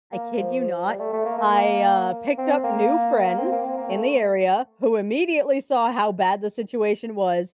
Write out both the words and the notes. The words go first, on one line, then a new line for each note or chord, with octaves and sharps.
I kid you not, I, uh, picked up new friends in the area who immediately saw how bad the situation was,
A#3
F3
G3
A3
A3
A#3
A#3
C4
A#3
A#3
C4
A#3
C4
A#3
A3